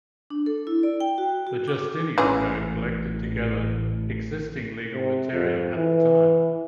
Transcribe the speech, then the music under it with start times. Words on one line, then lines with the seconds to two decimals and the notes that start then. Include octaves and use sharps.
The Justinian Code collected together existing legal material at the time.
0.30 D4
0.46 A4
0.67 E4
0.83 D5
1.00 G5
1.18 F#4
1.47 F#4
1.68 D6
2.18 A1 E3 C#4 G#4
4.93 C3
5.31 F2
5.76 E3